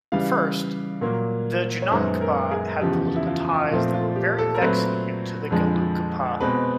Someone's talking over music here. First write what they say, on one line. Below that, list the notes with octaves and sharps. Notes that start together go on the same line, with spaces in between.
First, the Jonangpa had political ties that were very vexing to the Gelugpa.
C#3 E3 G3 F5
A#2 F#3 A#3
C#5
F#2 D#3 G#3 B3 C5
A#4
G#4
E2 C#3 F3 G4
E4
F4
A#2 F3 A3 C4 F4
F4
G4
A4
A#4
A#2 F#3 A3 C4 B4
F2 D3 F3 G#3
B2 G#3 C4 B4